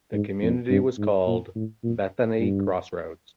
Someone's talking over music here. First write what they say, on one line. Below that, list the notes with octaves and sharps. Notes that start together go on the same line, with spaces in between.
The community was called "Bethany Crossroads".
G#2
F2
G2
G#2
A#2
A2
A#2
G2